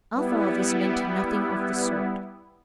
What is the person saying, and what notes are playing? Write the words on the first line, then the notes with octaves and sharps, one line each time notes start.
Our fathers meant nothing of the sort.
G3 B3 E4